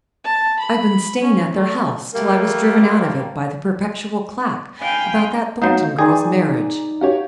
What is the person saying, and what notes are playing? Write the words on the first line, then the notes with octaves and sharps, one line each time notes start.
I've been staying at their house till I was driven out of it by the perpetual clack about that Thornton girl's marriage.
A5
B5
C#4
A3
G3 A3 A#3 A#4
F5 G5 G#5 B5
F#3 A3 D#4 F5 G6 C7 E7
D#4 G#4 D5 G5 G#5 A#5 C6
F#4 G4 C#5 F5